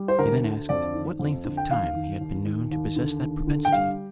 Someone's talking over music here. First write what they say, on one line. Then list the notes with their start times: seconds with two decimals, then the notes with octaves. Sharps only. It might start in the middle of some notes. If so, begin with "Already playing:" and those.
He then asked what length of time he had been known to possess that propensity.
Already playing: G3
0.08 C5
0.19 D2 A#4
0.44 D3
0.69 F2 D5
0.94 D#3
1.19 F2
1.45 D3
1.57 G5
1.70 D#2 F5
1.96 D#3
2.21 D#2
2.46 D#3
2.71 D#2
2.96 D3
3.22 D#2
3.47 D3
3.65 G5
3.72 G3 F5